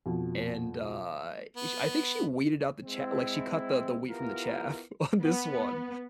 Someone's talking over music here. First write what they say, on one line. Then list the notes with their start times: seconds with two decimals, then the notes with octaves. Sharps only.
and, uh, ish I think she weeded out the cha like, she cut the the wheat from the chaff on this one.
0.06 F2 B2
1.56 B3
2.85 G#3 C4 E4
4.08 B3 E4 F4 G4 A#4
5.21 B3